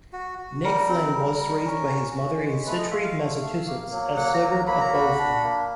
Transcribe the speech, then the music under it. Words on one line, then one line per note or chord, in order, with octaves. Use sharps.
Nick Flynn was raised by his mother in Scituate, Massachusetts, a suburb of Boston.
F#4
F#4
G3 A#4
C4
G3
G3
C#4
F#4
C#4
G#3
A3 B4
D#5
F4 E5
F5
A3
A3
A#3
F#3
A#3 F#5
A#5
F#3
A#5
A#3 B5
A#5
F#4 B5
D4
A#3